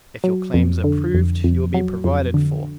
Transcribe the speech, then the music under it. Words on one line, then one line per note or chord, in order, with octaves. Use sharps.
If your claims are proved, you will be provided for.
F#3
F2
D3
F2
F2
F#3
F2
D3